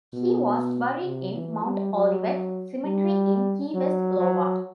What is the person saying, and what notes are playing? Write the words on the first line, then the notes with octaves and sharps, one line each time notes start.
He was buried in Mount Olivet Cemetery in Key West, Iowa.
B2
C3
E3
G3
F#3
G3
F#3
F#3